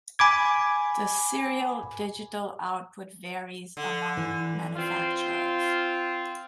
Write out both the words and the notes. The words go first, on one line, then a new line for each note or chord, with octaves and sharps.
The serial digital output varies among manufacturers.
G#5 B5 D6 G#6
D3
E3
C4 F4